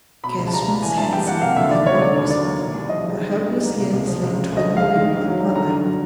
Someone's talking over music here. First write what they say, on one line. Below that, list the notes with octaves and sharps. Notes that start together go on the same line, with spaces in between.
Catherine's head sank on her bosom; her helpless hands lay trembling on her lap.
B2 B5
C#2
A5
G3 A#5
A#3
E3 G#5
G2 A5
G3 G5
A#3 F#5
C3 F5
D2 E5
D#3 D5
F#3 C#5
D3 D5
D#2
F#3 D5
A#3
A#2
C2
F3 D#5
G#3
D#3
G2
G3
A#3
C3
C#2
F3
C#2
C#3
D2 D#5
F3
F5
G#3
D#3
G2
F#3
G2
D3 A#5
F#2
F#3